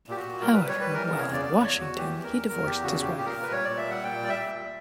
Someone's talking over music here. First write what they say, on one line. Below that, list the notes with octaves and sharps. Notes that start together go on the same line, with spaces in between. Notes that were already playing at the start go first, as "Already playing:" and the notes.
However, while in Washington, he divorced his wife.
A#2 G4
F#4
A#2
G3 A#4
G3 B4
C#5
G3 B4
E3 A#4
C#3 A#4
C#5
E2
D5
E2 D5
E2 C#5
E2 F#4
E3 G4
E2
A#4
E2
E2 A#4
E2 G4
C#3 F#4
A#2 G4
A#2 G4
A#4
A#2
B4
G3 C#5
D5
A#2
E5
G3 F#5
A#2 G5
G3 D5
E5
A#2
G3